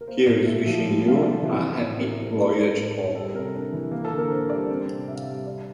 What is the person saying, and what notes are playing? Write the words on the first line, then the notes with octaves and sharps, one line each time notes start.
Here's wishing you a happy voyage home.
A#4
A#3 C5
A#2 D5
A#2 E5
F3 E5
G3
C3 F5
E5
C4 D5
E3
C4
A2
A2 A#4
G3 C5
D4 A#4
C5
A2
A#4
A2
G3
G3 A4
C3 A#4
D4
E3
A#3
A4
D3
A#4
D3 C5
G3 D5
C4
C3
C3 E5
F5
E5
G3
D4 D5